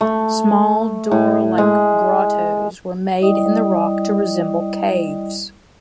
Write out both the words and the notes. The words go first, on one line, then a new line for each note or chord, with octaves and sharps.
Small door like grottoes were made in the rock to resemble caves.
A3
A2
G#3
G3 E4 D5 D#5 G5 D#6